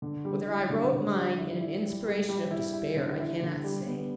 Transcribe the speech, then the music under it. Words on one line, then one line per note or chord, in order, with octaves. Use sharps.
Whether I wrote mine in an inspiration of despair, I cannot say.
D3
G3
E4
D3
D3
G3
E4
E4
G3
G3
G3
E4
E4
D3
E4
D3
G3
B3